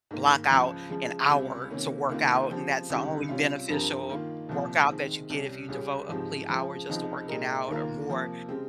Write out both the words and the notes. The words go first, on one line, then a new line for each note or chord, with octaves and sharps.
block out an hour to workout, and that's the only beneficial workout that you get if you devote a complete hour just to working out or more,
G#2 D#3 A#3
C#2 C#3 F3
C#3 F3 G#3
C#2 C3 G3
C3 D#3 A#3 C#4
C#2 C3 D#3 A#3 F4
C#3 F3 C4 G4
C#2 C3 D#3 G3
C3 G3 C#4 F4
G2 F3 C4 G4 A#4
D#3 A#3 F4
C2 A#2 F3 C4
D#3 G#3 C4
C2 C3 G3 C#4
C#2 C#3 G3 C#4 G#4
G#2 F3 G#3 C4 G4
C#3 F3 G#3
C#2 C3 F3 G#3 D#4
A#2 G#3 D#4 G4 A#4
D#2 D#3 A#3 F4 A#4
C3 F3 A#3
C#3 G#3 C4 G4